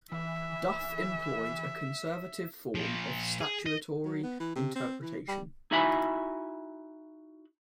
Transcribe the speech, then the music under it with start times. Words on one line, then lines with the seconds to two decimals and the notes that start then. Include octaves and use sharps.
Duff employed a conservative form of statutory interpretation.
0.12 E3 E5
2.75 A#2 F3
3.41 G#4
3.66 D#5
4.05 F#3
4.23 B3
4.40 E3
4.56 C3
4.75 C4
5.02 E3
5.28 G3
5.71 D#4 E4 F#4 E5 G#5 B5